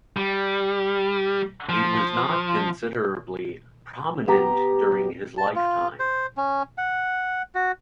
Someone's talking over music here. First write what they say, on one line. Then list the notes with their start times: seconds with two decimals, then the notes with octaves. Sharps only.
He was not considerably prominent during his lifetime.
0.17 G3
1.69 F3
4.27 B3 G4 A#5
5.38 A5
5.56 F4
6.00 C5
6.37 C#4
6.78 F#5
7.55 F#4